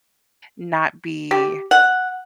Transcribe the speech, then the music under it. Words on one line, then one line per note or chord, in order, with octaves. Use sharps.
not be
G4
F#5